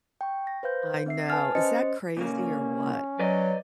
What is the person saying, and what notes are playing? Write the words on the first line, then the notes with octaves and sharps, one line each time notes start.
I know, is that crazy or what?
G5 C#6
A#6
B4 C5 F5 G6
C4 E5 C7
B4 G#5 A5 F6 A6
C#4 C5 D#5 A6 C#7
A#2 C#3 A#3 C#4
F#3 B4 D5 D#5